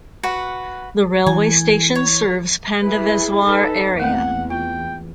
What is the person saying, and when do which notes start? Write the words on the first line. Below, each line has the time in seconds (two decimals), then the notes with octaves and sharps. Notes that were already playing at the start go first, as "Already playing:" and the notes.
The railway station serves Pandaveswar Area.
0.23 F#4 B4 F#5
1.26 E3 G#5
1.95 C#5
2.82 E4 G#4 B4
3.45 D#4 A4 B4
4.00 E2 A3 A#3 C4 F#5
4.50 F4 G5